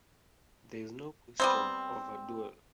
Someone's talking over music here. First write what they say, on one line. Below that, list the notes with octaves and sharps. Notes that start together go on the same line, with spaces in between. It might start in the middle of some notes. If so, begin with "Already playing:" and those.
There is no question of a duel.
G3 B3 C4